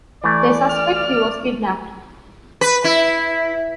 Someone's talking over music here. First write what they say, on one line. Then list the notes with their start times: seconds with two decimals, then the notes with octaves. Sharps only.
They suspect he was kidnapped.
0.24 E3 A3 D5
0.69 F6
2.61 B4
2.84 E4